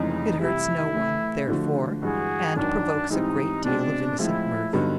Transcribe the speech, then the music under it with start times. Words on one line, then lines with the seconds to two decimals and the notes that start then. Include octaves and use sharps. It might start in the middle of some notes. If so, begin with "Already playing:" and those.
It hurts no one, therefore, and provokes a great deal of innocent mirth.
Already playing: F1 F2 C#3 E3 G#3 D#4
0.39 C3 E3 G3 E4
0.93 A2 E3 A3
1.48 D3 F3 A3 D4 F#4
2.01 G2 E3 G#3 F#4 G#4
2.56 G#1 F#2 D#3 D4
3.10 G#2 E3 G3 C4 D#4
3.64 B2 G#3 C4 D4
4.19 A2 F3 G#3 E4
4.73 G2 D3 F#3 B3 D#4